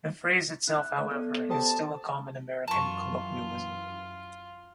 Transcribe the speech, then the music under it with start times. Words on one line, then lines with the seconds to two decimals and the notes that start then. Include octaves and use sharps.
The phrase itself, however, is still a common American colloquialism.
0.67 E4 F#6
1.11 B3 A4 D5
1.50 G4 C5 A5 D#6
2.68 F#2 E3 F4 A5 C#6